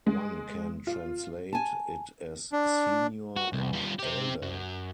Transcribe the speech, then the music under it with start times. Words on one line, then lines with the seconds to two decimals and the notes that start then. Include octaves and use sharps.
One can translate it as "senior" or "elder".
0.07 G#3
0.87 F4
1.53 G#5 A5
2.53 D4
3.36 F#4
3.53 C2
3.73 G3 F4
3.99 C4 G4
4.43 F#2